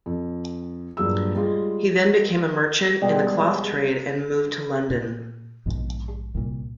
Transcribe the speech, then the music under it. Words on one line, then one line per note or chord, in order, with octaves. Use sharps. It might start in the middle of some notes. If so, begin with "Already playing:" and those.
He then became a merchant in the cloth trade and moved to London.
F2
G2 A#2 F#3 G#4 E6
G3 G#3 F4 G#4
B2 G3 G#3
A#2
A#1 G#2 B2
C2 A#2